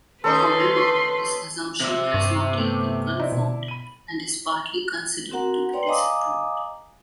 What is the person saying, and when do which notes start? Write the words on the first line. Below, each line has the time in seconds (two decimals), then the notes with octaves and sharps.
However, this assumption has not yet been confirmed and is partly considered to be disproved.
0.24 D#2 A3 C#4 D#4 A4 B4 C6
1.80 C3 E5
2.14 G2 C#6
2.54 A3 B3
3.20 D#4 E4 D5
3.32 B2
3.68 B5 D#7
5.32 C4 F#4 A#4 F#5 A#5
5.73 B4 C#5 D5 G5 A#5 C6
5.87 D#5 F5 G#5 A#5 D6 D#6